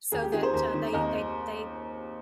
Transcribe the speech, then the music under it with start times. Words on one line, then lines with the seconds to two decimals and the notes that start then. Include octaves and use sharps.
so that, uh, they they they
0.12 D#2 G#4
0.22 G4
0.32 D#3 G#4
0.43 C5
0.54 D#2
0.74 D#3
0.93 D#2 D#5